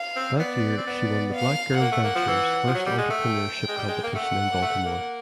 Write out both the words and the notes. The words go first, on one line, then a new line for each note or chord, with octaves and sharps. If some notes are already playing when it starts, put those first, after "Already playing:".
That year she won the Black Girl Ventures first entrepreneurship competition in Baltimore.
Already playing: F5
C4
B3 D5
C4
B3
F5
A#3 F#5
A3
A#3
F3
E3
F3
F#3
G3
G#3
A3
G5
G#3
G3
G#3
A#3
A3 F#5
A#3
A3
A#3